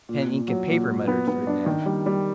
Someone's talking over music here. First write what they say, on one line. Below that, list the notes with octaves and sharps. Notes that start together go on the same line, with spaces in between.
"Pen, ink, and paper," muttered Fernand.
A#2
A#2
F#3
A#2
A#2
B3
B3
D4
D#3
G3
G3